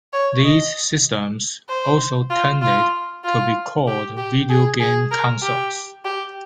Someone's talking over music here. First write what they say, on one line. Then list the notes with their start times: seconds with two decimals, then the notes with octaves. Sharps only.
These systems also tended to be called video-game consoles.
0.13 C#5
0.44 D#5
1.69 C5
2.30 F4
2.62 F4
3.24 F4
3.87 G4
4.17 G4
4.49 G#4
4.80 G#4
5.11 A#4
5.42 G4
6.05 G4